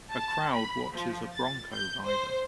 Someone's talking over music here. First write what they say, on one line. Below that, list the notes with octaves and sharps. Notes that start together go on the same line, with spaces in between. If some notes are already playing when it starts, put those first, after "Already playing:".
A crowd watches a bronco rider.
A5
B5
F3
A6
G6
C5